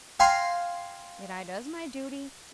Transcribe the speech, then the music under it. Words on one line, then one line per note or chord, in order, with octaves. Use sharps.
Yet I does my duty!
F5 G5 G#5 A#5 C6